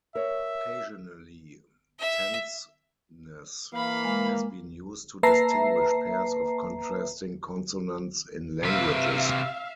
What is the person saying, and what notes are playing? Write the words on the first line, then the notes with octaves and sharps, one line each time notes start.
Occasionally, tenseness has been used to distinguish pairs of contrasting consonants in languages.
A#4 C#5 E5
E5
E3 A#3 F5 B5
G#3
A#3 B4 E5 A5 A#5 C7
C3 B4 E5 F5